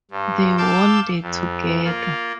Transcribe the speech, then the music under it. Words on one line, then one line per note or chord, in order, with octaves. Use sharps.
They won the together.
G2
F5 A5 D6 E6 G6
F2
A#3 F4